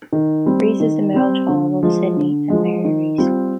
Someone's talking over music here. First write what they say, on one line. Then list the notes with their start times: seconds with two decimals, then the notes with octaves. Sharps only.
Rees is the middle child of Sidney and Mary Rees.
0.12 D#3
0.46 G3 C4
0.80 D#3
1.14 G3 C4
1.48 D3
1.83 F3 G#3
2.17 D3
2.50 F3 G#3
2.85 D#3
3.18 G3 C4 F4